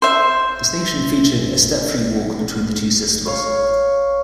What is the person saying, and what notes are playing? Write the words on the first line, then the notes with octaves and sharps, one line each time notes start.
The station featured a step-free walk between the two systems.
C5 E5
C#5 F5 C#6